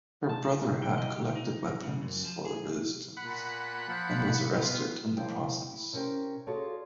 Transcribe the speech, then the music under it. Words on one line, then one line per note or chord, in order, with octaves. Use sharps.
Her brother had collected weapons for the resistance and was arrested in the process.
A5
G5
D#5
G4
D#4
C#3
F#2
F3
G#4
A#2 F#5 B5
F3
B3 F4
D#2 F3 E4 C5 G5
E4
C3 C#4 A#4 C5 G5
F4 F#4 G#4 A4 C#5 D5